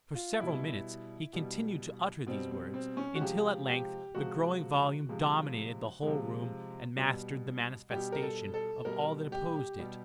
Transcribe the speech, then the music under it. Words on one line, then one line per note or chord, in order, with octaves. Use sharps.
For several minutes he continued to utter these words, until at length the growing volume dominated the whole room and mastered the manifestation of all that opposed it.
F4
B2 G3 E4
B2 G3
B2 G3 C4
C4
C4
C#4
F#4
C3 F3 G#3 G4
G4
C3 F3 G#3 F#4
C3 F3 G#3
C3 F3 G#3
B2 G3
B2 G3 G4
A#4
A4
A4
B2 G3 A#4
G4
G4
B2 G3